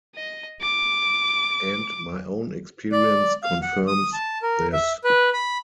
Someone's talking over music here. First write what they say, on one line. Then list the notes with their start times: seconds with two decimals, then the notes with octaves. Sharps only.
And my own experience confirms this.
0.16 D#5
0.62 D6
2.92 D5
3.43 F5
3.62 F#5
3.88 D#6
4.13 A5
4.42 A#4
4.73 E5
5.04 B4
5.33 B5